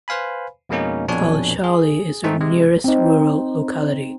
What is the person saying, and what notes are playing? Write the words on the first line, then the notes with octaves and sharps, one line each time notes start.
Kalshaly is the nearest rural locality.
B4 C5 F5 G#5 B5
F2 B2 G#3 A#3 C#4 D#4
A#1 F2 B2 D4 C#5 G#5
G#4
G#2 A3 C4 D#4
C3 G#3
C4 D#4